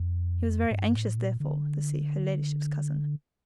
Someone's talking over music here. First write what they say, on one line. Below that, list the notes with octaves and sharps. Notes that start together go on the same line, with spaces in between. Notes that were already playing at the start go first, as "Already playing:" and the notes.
He was very anxious, therefore, to see "her leddyship's" cousin.
Already playing: F2
A2
G2
A2
A#2
D3